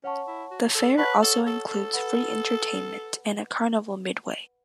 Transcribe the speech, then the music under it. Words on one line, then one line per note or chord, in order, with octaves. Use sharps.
The fair also includes free entertainment and a carnival midway.
C#4 C#5 F#5 A5 C#6
E4
F#4
A4
B4 C#5 F#5 A5 C#6
A4
A4
A4
B4 F#5 B5